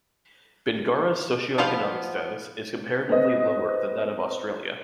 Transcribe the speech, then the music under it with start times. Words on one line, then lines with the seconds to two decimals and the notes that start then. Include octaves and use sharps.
Bingara's socioeconomic status is comparatively lower than that of Australia.
1.58 F3 B3 F4 C5 F5
3.09 B3 C4 D#5